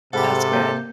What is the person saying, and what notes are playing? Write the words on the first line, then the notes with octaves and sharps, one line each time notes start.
That's good.
G#2 C3 G4 A4 F#5 B5
A#3 G6